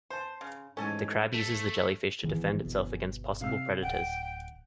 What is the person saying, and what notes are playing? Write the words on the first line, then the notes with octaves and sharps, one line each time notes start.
The crab uses the jellyfish to defend itself against possible predators.
C5 A5 C6
C#3
G#2 E3 A3 C#4 A4 G#5
A3
A1 E2 D#3 E3
G1 B2
C3 F5 E6
D1 F#5 G5